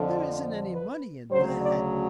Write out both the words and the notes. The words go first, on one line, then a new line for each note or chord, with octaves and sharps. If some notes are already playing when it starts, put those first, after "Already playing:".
"There isn't any money in that."
Already playing: F2 D3 F3
B4
D2 C#3 F#3 C5
D5